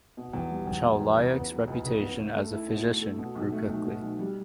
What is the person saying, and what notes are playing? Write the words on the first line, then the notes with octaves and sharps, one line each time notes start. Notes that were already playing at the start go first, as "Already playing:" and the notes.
Chauliac's reputation as a physician grew quickly.
B2
E2
G3
E2
B2
E2
C#3
B3
F#3
C#2
C#3
B3
A3
A4
E4
B2
A3
A4
B2
B1
A3
B1
B2
B1
G3